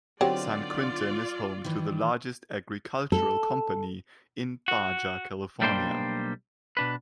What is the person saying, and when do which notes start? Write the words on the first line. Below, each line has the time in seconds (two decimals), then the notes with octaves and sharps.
San Quintin is home to the largest agricultural company in Baja California.
0.21 D3 F#3 B3 C4 D#4 F4 G4 D5
1.64 D#3 E3
3.12 A4
4.68 F#4
5.61 B1 G3 A#3 D4 C5 G5
6.77 B2 D4 B4